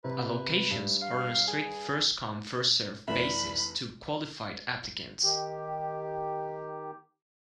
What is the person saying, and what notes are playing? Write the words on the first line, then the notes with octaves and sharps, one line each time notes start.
Allocations are on a strict first-come, first-served basis to qualified applicants.
C3 B4
G2
F5
G#4
F1 E3 D5 E5 B5
D#3 G4